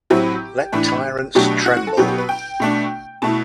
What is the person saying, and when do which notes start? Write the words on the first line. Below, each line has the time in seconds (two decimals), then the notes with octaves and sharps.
Let Tyrants Tremble!
0.10 A2 F#3 C4 E4 G4
0.72 A2 E3 A3 D4
1.35 B2 F#3 A3 D4 G4
1.66 F#4
1.77 F#4
1.87 A4
1.97 B2 F#3 B3 G4
2.08 G4
2.18 B4
2.29 G5
2.60 B2 A3 D4
3.22 B2 A3 E4 A5